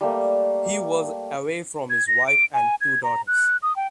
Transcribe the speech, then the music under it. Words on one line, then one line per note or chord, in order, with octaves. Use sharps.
He was away from his wife and two daughters.
G3 A3 A#3
G#6
A#6
D7
G#5
G#6
A#5
F#6
D#6
G5